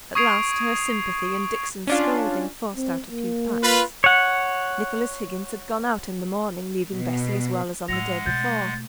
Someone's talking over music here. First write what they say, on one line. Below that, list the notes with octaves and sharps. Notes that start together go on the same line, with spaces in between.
At last, her sympathy, and Dixon's scolding, forced out a few facts. Nicholas Higgins had gone out in the morning, leaving Bessy as well as on the day before.
C#6 D#6 G#6 C7 D7 F7
C#4 D4 F4
C4
A#3
F4 B4
C#5 F#5
B2
A2 G#3 F#5 E6 A#6 F7
B2 A3 G6 A6